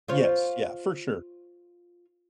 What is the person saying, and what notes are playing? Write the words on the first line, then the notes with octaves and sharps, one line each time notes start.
Yes, yeah, for sure.
F4 C5 C#5